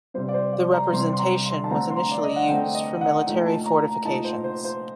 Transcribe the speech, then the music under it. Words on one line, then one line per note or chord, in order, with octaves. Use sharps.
The representation was initially used for military fortifications.
C3 G3 C4 C5
D5
C5
D5
A#5
C3 G3 C4 C6
C6
A#5
C6
A5
D3 A3 C4 A#5
C6
A#5
D5
D#5
F#5
D3 A3 C4 G5
D#5
F#5
A#2 A3 D#4 G5
A5
A#5
A#5
A#2 A3 D#4 A5
C5
C5
C5